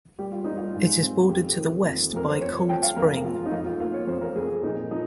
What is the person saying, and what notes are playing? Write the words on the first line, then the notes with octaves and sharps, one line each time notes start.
It is bordered to the west by Cold Spring.
G3 G4
F4
G3 D#4
F4
G#2
C4
F2 G4
D#3
F2
F2 A#4
C5
F2 C#5
F3 G5
F5
F2 A#4
F2 F4
D#4
F2 F4
F4
A#3 F4
C#5
F2 C5
A#4
F2 G#4
A#2 D#4
F3 D#4